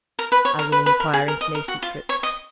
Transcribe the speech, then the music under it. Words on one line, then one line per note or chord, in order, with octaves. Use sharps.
"I will enquire into no secrets."
A#4
B4
C#5
A#4
B4
B4
A#4
G#4
A#4
D#5
A#4
F#4
F4
C#5
D#5